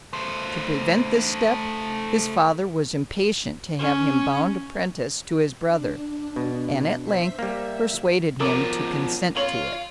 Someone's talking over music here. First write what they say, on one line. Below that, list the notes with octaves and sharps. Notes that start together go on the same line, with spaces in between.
To prevent this step, his father was impatient to have him bound apprentice to his brother, and at length persuaded him to consent to it.
A3 C5
C#4
D4
B2
C5 E5 B6
G3 A#3 E5
B2 F3 A#4 C#5 D6
F4 C#5 F#7